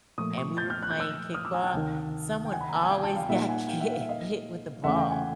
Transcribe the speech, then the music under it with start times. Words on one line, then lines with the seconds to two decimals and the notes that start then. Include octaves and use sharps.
and we were playing kickball, someone always got ki hit with the ball,
0.18 A#2 F3 A3 C#6 D#6
0.38 C#6 D#6
0.57 G6 A6
0.70 F6 G6
0.83 F#6
0.91 G6
1.00 E6 F#6
1.34 D#6 F6
1.45 D6 E6
1.54 G#5 A#5
1.64 G5 A5
1.74 D2 C3 D#3
2.45 G5
2.52 F#5 G#5
2.61 B5
2.69 A#5
2.76 A5
2.83 G#5
2.90 F5 G5
3.03 G5 A5
3.16 F5 G5
3.29 A#2 G3 A#3 D#4 E5 F#5
3.49 F#5 G#5
3.68 F5 G5
3.81 E5 F#5
3.93 F5
4.01 E5
4.09 D#5 F5
4.84 E2 C#3 E3 A3 C#4 E5 F#5
4.97 F5 G5
5.10 F#5 G#5